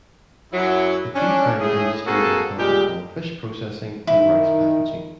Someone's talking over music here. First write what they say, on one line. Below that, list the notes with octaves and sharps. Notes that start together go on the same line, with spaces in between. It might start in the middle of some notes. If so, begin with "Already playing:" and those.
The few private industries in town involve fish processing and rice packaging.
F#2 F#3 E4
C#4 D4
A2 G#4
A#3 C4 F#4 G#4 A4
A#2 G3 G#3 G4
D#3 E4